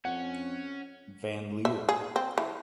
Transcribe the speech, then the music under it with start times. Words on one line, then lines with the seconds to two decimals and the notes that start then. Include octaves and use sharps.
Van Leer.
0.05 F2 C#4 F#5
1.65 E5
1.89 G#4
2.16 C4
2.38 E3